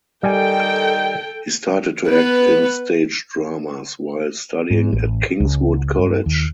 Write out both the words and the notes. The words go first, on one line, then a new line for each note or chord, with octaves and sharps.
He started to act in stage dramas while studying at Kingswood College.
D#3 G3 A4 G5 G#5
B3 B4
G#2
A1
C#2
G2
D#2